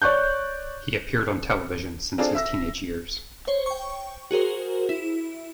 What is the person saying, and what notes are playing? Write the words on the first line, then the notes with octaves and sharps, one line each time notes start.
He appeared on television since his teenage years.
C#5 D5 C#6 F#6 G6
C4 D4 F4 G#4 A4 D5
E5 E6 A#6
C5 C#5
G5 C#6
F#4 G#4 A#4 C5
E4